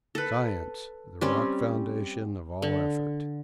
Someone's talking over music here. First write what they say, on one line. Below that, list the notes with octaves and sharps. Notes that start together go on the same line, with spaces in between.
Science--the rock foundation of all effort!!
A4 B4
G3 C4 C#4
D3